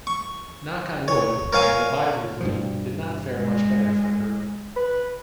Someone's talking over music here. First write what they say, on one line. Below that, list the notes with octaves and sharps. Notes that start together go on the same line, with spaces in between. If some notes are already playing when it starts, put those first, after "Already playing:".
"Knock on Wood" and "Abide With Me" did not fare much better for her.
C#6
C#5
A#4 C#5 F5 G#5
G2 B2 F3
G#3
B4